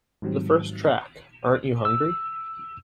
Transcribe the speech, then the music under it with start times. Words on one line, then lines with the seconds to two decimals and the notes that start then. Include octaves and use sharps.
The first track, Aren't You Hungry?
0.22 G#2 D#3 F#3 G3 C4
1.85 E6